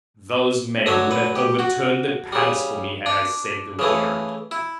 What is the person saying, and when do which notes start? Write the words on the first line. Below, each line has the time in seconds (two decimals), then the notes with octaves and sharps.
Those men would have overturned the palace for me had I said the word.
0.86 D3 F#3 A3 C#5
1.11 B4
1.36 G4
1.59 F#4
2.33 C#3 G3
3.06 D4
3.79 C#3 E3 A3
4.51 E4